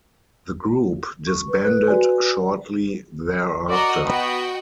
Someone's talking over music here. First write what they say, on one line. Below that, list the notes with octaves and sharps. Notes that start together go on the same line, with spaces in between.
The group disbanded shortly thereafter.
C#6
B4
F#6
F#4 D5 G#5
F#4 A#4 D5 D#5
B3 F#4 D#5 G5